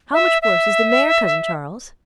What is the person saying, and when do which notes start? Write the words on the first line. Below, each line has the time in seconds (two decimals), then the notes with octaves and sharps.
"How much worse is the mare, cousin Charles?"
0.13 E5
0.42 E5